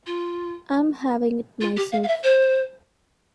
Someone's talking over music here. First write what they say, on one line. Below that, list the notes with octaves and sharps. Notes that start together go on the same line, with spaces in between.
I'm having it myself.
F4
F4
G4
F5
F5
E5
C5